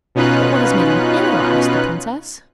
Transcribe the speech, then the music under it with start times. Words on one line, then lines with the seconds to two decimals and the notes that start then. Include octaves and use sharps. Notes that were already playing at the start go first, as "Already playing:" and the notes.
'But what has made him ill?' asked the princess.
0.15 B2 C#4 D#4 F4 B4 F#6